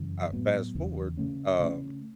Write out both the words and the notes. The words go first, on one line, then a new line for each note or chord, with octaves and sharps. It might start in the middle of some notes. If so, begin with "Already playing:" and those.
I fast forward, um,
Already playing: F#2 C#3 E3
A2 F#3 B3
E2 C#3 E3
C#3 A3 C#4
C#3 A3 C#4